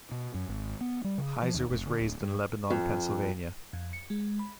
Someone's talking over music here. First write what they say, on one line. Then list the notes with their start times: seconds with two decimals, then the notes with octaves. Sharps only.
Heiser was raised in Lebanon, Pennsylvania.
0.11 B2
0.34 F#2
0.49 G#1
0.81 B3
1.04 G3
1.18 C#3
1.42 F3
1.54 D#2
1.70 F1
1.86 D3
1.99 D1
2.21 G2
2.70 F2
3.73 F2
3.93 C#7
4.10 G#3
4.39 B5